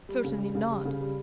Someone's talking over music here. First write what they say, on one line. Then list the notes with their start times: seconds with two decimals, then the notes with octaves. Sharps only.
Certainly not.
0.09 G3
0.24 C#3
0.38 G3
0.55 C#3
0.70 G3
0.85 C#3
1.01 G3